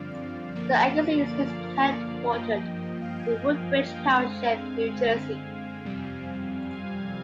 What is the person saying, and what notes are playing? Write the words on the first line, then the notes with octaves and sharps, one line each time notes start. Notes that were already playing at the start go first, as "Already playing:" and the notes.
The agency is headquartered in Woodbridge Township, New Jersey.
Already playing: G2 D3 F3 C4 D5 F5
D3 F3 A#3 D5 F5
G2 F3 A#3 D#5 G5
F5
G5
F5 G#5
D3 G#3 C4
F2 C3 G3 C4
F5 G#5